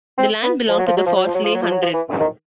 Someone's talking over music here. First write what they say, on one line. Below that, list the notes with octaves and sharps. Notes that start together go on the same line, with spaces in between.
The land belonged to the Fawsley Hundred.
C4
B3
F3
F#3
F3
F#3
F3
F#3
F3
F#3
F3
F#3
F3
F#3
F3
E3
D#3